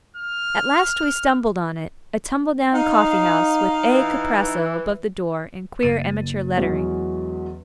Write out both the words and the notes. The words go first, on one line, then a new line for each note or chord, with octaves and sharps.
At last we stumbled on it--a tumble-down coffee house, with A. Kuprasso above the door in queer amateur lettering.
F6
D#4 F5
E3
F#1 A6 D#7
E2 E3 F#3 G#3 C#4